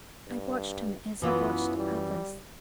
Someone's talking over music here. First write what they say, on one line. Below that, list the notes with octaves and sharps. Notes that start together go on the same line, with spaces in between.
I watched him as I watched others.
G2
F#2 E3 B3 F4
G3